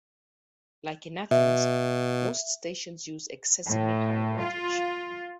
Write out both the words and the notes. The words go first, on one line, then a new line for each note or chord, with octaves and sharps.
Like in Athens, most stations use excessively high wattage.
B2 E5
A2
F4